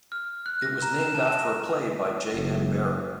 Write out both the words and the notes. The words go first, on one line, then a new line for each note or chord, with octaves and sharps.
It was named after a play by J. M. Barrie.
F6
F#6
A#6
A#5
E7
A5
A5
F#1